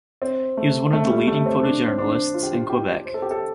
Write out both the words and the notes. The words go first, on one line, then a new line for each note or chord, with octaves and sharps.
He was one of the leading photojournalists in Quebec.
C4
A3
A3
A3
G3
A3
C4
D4
C4
D4
F4
G4
F4
G4
C5
A4
G4
A4